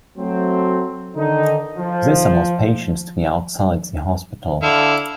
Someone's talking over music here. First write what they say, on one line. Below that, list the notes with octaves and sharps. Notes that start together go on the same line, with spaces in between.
This allows patients to be outside the hospital.
F#3 A3 C4
D3 D#3 D#4
F3
D3 E4 A4 F5